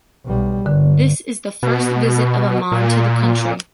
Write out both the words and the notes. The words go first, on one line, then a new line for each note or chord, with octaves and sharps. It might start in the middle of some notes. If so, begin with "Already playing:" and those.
This is the first visit of Amon to the country.
B1 G3
G1 D3
B2
A#2